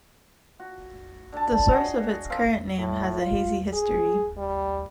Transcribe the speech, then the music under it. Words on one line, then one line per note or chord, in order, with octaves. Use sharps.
The source of its current name has a hazy history.
F#4
D3 A5
F#4 G#4 D#5
C4 A#4 F5
A2
F4
G#4
G3